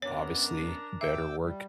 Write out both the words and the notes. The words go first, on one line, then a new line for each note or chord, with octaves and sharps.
obviously, better work,
F#2 B3 D4 A#4 C#5 A#5
E5 G5 D6 E6
G3